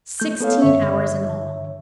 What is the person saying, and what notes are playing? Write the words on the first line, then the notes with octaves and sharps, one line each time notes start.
"Sixteen hours in all?"
A3 G6
B3 A4 C#5 F5
G2 D3 C#5 E5